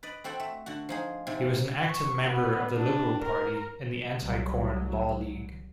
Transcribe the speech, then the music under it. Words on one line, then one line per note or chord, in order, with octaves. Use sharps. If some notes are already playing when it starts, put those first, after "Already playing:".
He was an active member of the Liberal Party and the Anti-Corn Law League.
B4 D5 D#5
C4 F#4 A4 G5
A3
D3 F#4
F3 D#4 G#4
G#2 C3
C#6
B3
D4
A#4
C2 F#3